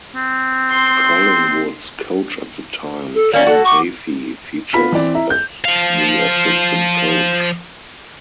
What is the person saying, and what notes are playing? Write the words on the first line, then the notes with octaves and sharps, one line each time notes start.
Collingwood's coach at the time, Tom Hafey features as the assistant coach.
C4
C6
A4
A#3 C#4 D5
F#4 A4
C#6 D6
B3 F4 B5 B6
E3 C4 D5
E4 E5 A#5
G6
F3 F5